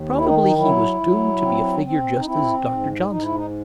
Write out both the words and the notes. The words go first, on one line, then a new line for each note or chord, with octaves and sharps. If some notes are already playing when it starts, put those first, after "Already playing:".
Probably he was doomed to be a figure just as Dr. Johnson was.
Already playing: D#2
D#3 E4
D#4
D#4
F#3 E4
F#3
C4
C4
D#4
C4 E4
G#2
G#2 D#4
E4
D#4